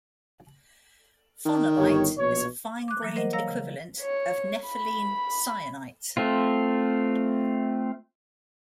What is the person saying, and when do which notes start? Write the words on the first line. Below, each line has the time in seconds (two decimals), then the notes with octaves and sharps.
Phonolite is a fine-grained equivalent of nepheline syenite.
1.46 D#3
1.77 G1 G4 C#5
2.18 A#1 B2 C#5
2.88 D6 F#6
3.02 E3 F#3 G3 A#3
3.16 A#4 C5 D#5 F#5
3.33 C#5 F5 A#5 E6 A#6
3.48 C#3
4.00 C#5
4.68 B5
6.17 A3 C4 F4